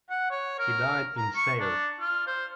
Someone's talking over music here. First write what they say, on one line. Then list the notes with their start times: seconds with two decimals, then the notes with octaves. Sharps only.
He died in Sayre.
0.10 F#5
0.31 C#5
0.59 A#4
1.17 A#5
1.36 C#6
1.60 D4
2.00 F4
2.27 C5